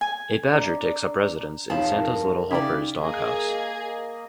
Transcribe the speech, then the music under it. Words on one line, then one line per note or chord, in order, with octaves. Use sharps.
A badger takes up residence in Santa's Little Helper's doghouse.
G#5
D4 A#5
F1 D#4 F4 C#5 A5 B5
A#4
C#3 D#4 E4 G4 D5
A#3 G#4 D#5